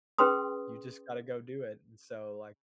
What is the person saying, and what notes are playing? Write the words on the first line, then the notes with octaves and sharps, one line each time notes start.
you just gotta go do it, and so, like,
C#4 G#4 B4 G5 C6 D#6